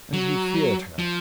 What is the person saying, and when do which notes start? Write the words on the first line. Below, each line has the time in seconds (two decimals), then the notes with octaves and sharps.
And he feared her.
0.13 F#3
0.99 F3